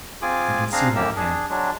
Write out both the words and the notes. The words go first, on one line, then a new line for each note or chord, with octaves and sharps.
I can see that now.
C4 F4 G#4 G#5 D6
C4 D4 G#4 F5 A#5
F#2 A2 A#3 G4 A#4 E6
D4 G#4
F#3 G#3 D4